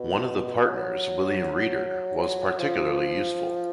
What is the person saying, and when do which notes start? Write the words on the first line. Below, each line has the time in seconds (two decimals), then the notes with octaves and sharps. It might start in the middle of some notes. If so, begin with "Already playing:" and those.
One of the partners William Reader was particularly useful.
Already playing: B2
0.68 F#3
2.58 F3